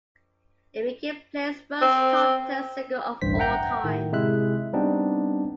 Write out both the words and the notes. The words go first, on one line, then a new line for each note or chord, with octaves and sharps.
It became Play's first top ten single of all time.
C4
A1 D2 G2 C5 B6
E5 F#5 G5 A#5 G6
A2 D#3
C3 G#3 E4 E5 F#6
G3 B3 C4 D4 D#4